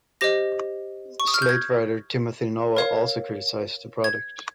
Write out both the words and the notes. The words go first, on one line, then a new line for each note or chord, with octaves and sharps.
"Slate" writer Timothy Noah also criticized the product.
G4 C5 D#5 A#6
C#6
D#6
F6
G6
G#6
A#4 C#5 F5
G#6